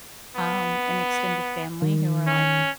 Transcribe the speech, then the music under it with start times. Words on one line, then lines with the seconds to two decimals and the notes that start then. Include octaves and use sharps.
um, an extended family who are like,
0.36 B3
1.82 D#3
2.27 C#4